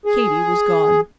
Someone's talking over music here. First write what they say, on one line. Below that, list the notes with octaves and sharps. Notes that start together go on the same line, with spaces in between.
Katy was gone.
G#4